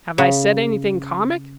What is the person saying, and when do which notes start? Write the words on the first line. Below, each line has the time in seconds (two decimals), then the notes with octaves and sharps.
"Have I said anything comic?"
0.18 C#3